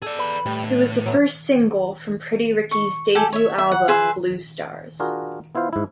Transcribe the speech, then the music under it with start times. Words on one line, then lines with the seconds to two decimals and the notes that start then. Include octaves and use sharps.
It was the first single from Pretty Ricky's debut album "Bluestars".
0.02 G#4 A4 D5
0.19 B4
0.46 A2 G3
0.63 D3
1.06 F#3 A3 B3
2.71 C#6
3.15 G4 A4 G#5
3.33 C#5 E5
3.58 E5
3.71 F#5
3.88 G#4 B4 C5 E5
5.00 D4 F4 F#4 G#4 A#4
5.55 B3 E4 F4 C5 F5
5.73 G#2 E4